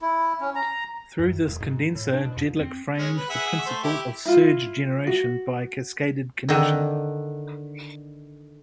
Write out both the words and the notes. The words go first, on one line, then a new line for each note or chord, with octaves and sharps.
Through this condenser, Jedlik framed the principle of surge generation by cascaded connection.
E4
C#4
A#5
F#2
E1
G#2
A2
D4
B2
F2
C4
G#3 C#4
B4
G#4 E5 F#5
A3 C5
E4 G4
E4 F4
F#4
D3 D#3